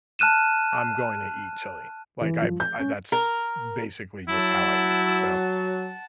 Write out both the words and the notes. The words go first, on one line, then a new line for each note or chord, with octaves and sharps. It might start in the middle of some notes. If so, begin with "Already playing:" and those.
I'm going to eat chili. Like, I'm I that's basically just how I eat, so,
A5 F6 F#6 D#7 E7
E3
F3
G6
C#4
A#4
F#3 E4 F#5 A5